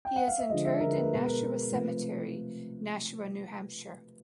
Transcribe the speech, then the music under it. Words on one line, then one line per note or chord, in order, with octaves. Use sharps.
He is interred in Nashua Cemetery, Nashua, New Hampshire.
G5
F#5
F5
E5
D3 F3 G#3 D#5
E5
D3 F3 G#3 A#4
B4
A#4
B2 G#3 B4
A#4
B2 G#3
C3 F3 A3 B4